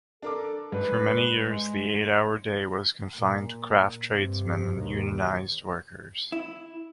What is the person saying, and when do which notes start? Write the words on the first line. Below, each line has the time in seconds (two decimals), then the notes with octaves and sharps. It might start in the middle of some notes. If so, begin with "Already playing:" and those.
For many years the eight-hour day was confined to craft tradesmen and unionised workers.
0.22 D4 A4 A#4 D6
0.72 G#2 D4 B4
1.48 G#3
3.14 A#2
4.10 G2 C3
4.76 D#2 B2
6.32 E4